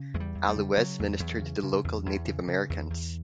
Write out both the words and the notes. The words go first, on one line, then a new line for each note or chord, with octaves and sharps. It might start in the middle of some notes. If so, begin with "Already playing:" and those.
Allouez ministered to the local Native Americans.
Already playing: C#3
E2 G#3
G3
E2
G3
C#3
C#3 F#3
E2
E2
C#3
C#3
E2
E2
C#3
C#3
E2
E2